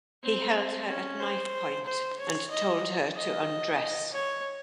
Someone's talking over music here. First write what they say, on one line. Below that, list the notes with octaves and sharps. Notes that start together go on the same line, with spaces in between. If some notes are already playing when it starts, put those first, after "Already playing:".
He held her at knifepoint and told her to undress.
C4
C#4
C5
C5
C#5
D#5
D#5
C#5